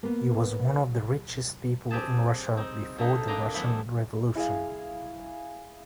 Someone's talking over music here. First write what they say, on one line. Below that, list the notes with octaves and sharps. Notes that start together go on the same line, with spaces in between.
He was one of the richest people in Russia before the Russian Revolution.
A#3 B3
C4 G4 G#4 A5
C4 D#4
D3 A3 D#4
A#2 D4 D#5 G5 A#5
E3 G3 A3 B3 C4
E4 G#4 E5 F5